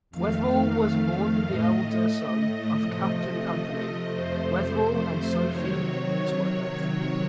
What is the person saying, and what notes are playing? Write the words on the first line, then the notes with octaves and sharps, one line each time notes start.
Weatherall was born the elder son of Captain Anthony Weatherall and Sophy Keswick.
F2 D#3 A3 F5
A2 A3 D#5
C3 F3 A3
F2 C3 F3 A3 C5
C3 D#3 F#3 C#5